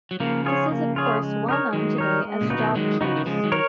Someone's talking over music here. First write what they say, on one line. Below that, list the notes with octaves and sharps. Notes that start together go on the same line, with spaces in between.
This is of course well known today as job queues.
F#3
C#3 F3 A#3
F4 G#4 C#5
A#3
F4 G#4 C#5
G#3
D#4 A#4 C#5
D#3 F#3 G#3
D#4 A#4 C#5
G#3
A#2 C#3
D#4 F#4 B4
B2 D#3
D#3 F#3 G#3
C#3 F3 D#4 F#4 B4
D#3
C#3 F3 G#3
D#3 F#3
A#4 C#5